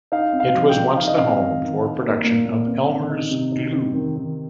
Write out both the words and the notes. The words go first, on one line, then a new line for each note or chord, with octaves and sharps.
It was once the home for production of Elmer's Glue.
D#4 F5
C4
F5
F3
G5
F3
D#4 F5
D#5
C4 F5
D#3
D#3
D#4
A#3
A#2
A#2
C4
D#3
D#4
C3
D#4
C4
D#3
D#3